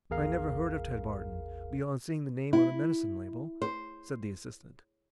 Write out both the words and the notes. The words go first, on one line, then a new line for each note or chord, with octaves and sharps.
"I never heard of Ted Barton, beyond seeing the name on a medicine label," said the assistant.
A1 E2 G#4 A#4 F5
E4
C5